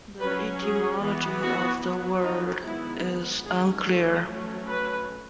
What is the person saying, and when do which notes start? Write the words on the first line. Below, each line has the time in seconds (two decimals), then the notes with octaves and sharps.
The etymology of the word is unclear.
0.19 F#3 C#4 B4
0.61 G#4
1.01 E3 B3
1.42 F#4
1.83 F#3 B3
2.23 D#4
2.64 D#3 G#3 B3 E4
3.46 D#3 A3 C#4 G#4
3.87 A4
4.27 F#3 A3 C#4
4.68 B4